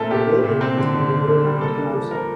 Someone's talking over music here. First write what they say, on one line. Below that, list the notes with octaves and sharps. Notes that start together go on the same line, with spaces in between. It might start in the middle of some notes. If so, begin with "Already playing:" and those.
The building has been converted into housing.
Already playing: A#2 A3 C4 A4 A#4
A#2 G4
A3
A#2
C4
D3
D3
D3
D3
G3
A#3 A4
D4
F3
F3 A#4